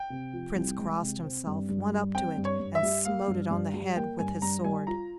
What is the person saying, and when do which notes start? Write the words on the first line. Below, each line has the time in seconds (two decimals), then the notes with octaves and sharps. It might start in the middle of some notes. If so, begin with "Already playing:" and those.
The Prince crossed himself, went up to it, and smote it on the head with his sword.
Already playing: G5
0.10 C3
0.33 F3
0.56 C2
0.79 G#3
1.01 C3
1.24 C4
1.47 G2
1.69 G2
1.92 G3
2.15 C4 G5
2.37 G2
2.45 C#5
2.60 G2
2.75 E5
2.83 G3
3.05 A#3 F5
3.28 G2
3.51 G2
3.74 G3
3.96 A#3 G5
4.19 G2 G#5
4.42 G2 A#5
4.64 G3 G#5
4.87 F4 A#5